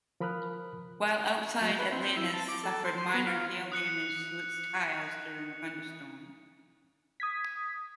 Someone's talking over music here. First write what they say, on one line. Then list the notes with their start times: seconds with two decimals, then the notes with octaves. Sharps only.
While outside, "Atlantis" suffered minor hail damage to its tiles during a thunderstorm.
0.20 F3 A#4 B5 D#6 F6 F#6
1.61 F#3
1.79 B4
1.92 C4
2.17 E4
2.33 A5
2.48 D6
2.63 A4
2.85 C5
2.98 C6
3.14 B3
3.27 F4
3.72 D#6 F#6 C#7
7.20 D#6 G#6 B6